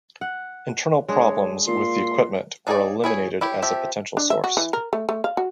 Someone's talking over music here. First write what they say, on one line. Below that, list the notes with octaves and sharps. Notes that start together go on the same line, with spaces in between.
Internal problems with the equipment were eliminated as a potential source.
F#5
G#3 D4 C#5
A#2 F4 C6
D4 D#4 G#4 C#5 D5
E4 G#4 C#5 G#5
E4 G4 C#5
F3 C4 G4 E5
D4
E5
F#4
E3
A#4
A3
A3
F5
F#4